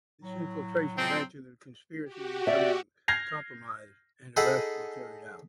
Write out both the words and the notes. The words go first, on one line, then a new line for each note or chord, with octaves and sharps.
This infiltration led to the conspiracy becoming compromised and arrests were carried out.
A2 F#3
F3 G#3 C4
F#4 G4
D5 E5
F6 G6 G#6 A#6 C7 F7
D#4 G#4 A4 D#5 F#5 B5